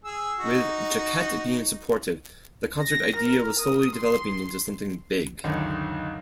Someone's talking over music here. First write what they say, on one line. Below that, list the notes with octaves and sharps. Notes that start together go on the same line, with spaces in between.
With Jacquette being supportive, the concert idea was slowly developing into something big.
G#4 E6
D#4 F#4
A#6
A#4
D#6
C6
C#2 F#2 D3 D#3